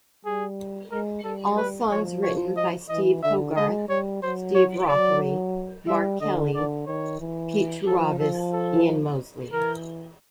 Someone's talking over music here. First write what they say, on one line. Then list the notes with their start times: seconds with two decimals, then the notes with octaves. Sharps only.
All songs written by Steve Hogarth, Steve Rothery, Mark Kelly, Pete Trewavas, Ian Mosley.
0.25 G3 G#4
0.91 G#3 A#4
1.24 G3 A4
1.57 B4
1.90 F3 C#5
2.23 C#5
2.57 D#5
2.89 E3 D#5
3.23 D3 E5
3.56 G#3 D#5
3.89 G3 C#5
4.23 F#3 C5
4.55 C#5
4.88 F#3 D5
5.88 G3 E5
6.21 D3 D#5
6.53 D3 D5
6.87 D#3 C#5
7.20 E3
7.87 F3 A4
8.19 F3 A4
8.53 A4
9.52 E3 A#4